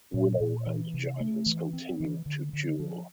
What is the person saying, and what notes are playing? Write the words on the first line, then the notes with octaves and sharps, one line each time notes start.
Willow and Giles continue to duel.
A#2
A#2
E3
C3
A3
E3
C4
E3
D3
D3
F3